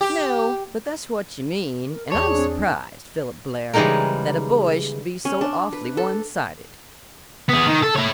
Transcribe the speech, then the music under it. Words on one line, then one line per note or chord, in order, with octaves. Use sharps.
"No, but that's what you mean, and I'm surprised, Philip Blair, that a boy should be so awfully one-sided."
G4
A#4
E2 G#4 C#5 D5 A5
C4 D4
C#3 E3 G3 G#3 D#4 A#4
C#4
D4
B4
A4
B3 G#4
D#3
A4
E4 C#5